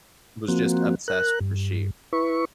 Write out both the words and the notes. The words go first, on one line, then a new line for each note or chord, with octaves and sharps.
was just obsessed with the sheep.
F3 A#3 C4 F#4
A#4 F#6
G2
E4 B4 C#6